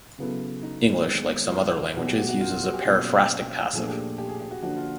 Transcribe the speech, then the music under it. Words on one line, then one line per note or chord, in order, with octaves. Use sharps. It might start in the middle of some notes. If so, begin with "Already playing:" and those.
English, like some other languages, uses a periphrastic passive.
C#3 F#3 B3 E4 A4
D#4
D#3 G#3 B3
F4
B2 F#3 B3 D#4 F#4 G#4
G4
F#4
F#4
F4
F4
F#4
G4
B2 F#3 A#3 C#4 F4
A#2 F3 A3 D4 G#4
G4
G4
G#4
G4
F#4
D3 F3 A#3 D4 F#4
F4